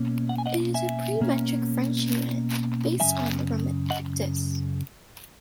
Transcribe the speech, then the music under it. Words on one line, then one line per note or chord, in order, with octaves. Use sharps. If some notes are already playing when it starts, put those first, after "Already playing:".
It is a pre-metric French unit based on the Roman "actus".
Already playing: B2 A#3 C#4
F#5
G#5
D#5 F#5
E5 G#5
B2 A#3 C#4
F#2 C#3 F#3 B3 E5 G#5
D#5 F#5